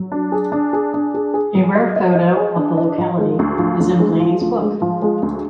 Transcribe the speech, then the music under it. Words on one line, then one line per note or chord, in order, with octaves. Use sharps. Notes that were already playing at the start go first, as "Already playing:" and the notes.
A rare photo of the locality is in Blaineys book.
Already playing: F#3
D4
G#4
D4
G#4
D4
G#4
G#4
F#3
D#5
D#5
D#5
G#4
D4
D#5
F3
G#3
D2
F3
D2
G#3
F3
D2
G#3
F3
G#3
D2